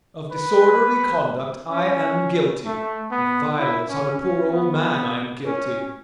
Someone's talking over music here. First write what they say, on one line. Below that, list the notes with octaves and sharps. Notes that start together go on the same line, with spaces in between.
Of disorderly conduct I am guilty, of violence on a poor old man I am guilty.
B4
C#4
A3
B3
E4
C#4
C#4
B3
C#4